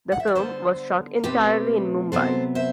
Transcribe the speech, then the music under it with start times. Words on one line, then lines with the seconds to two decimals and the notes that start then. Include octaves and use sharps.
The film was shot entirely in Mumbai.
0.12 F#5
0.20 E5
0.27 D5
0.35 D3 G3 B3 A4 C5
1.24 B2 A3 C4 G4 B4
2.12 C3 F#3 B3 A4 C5
2.55 C5 E5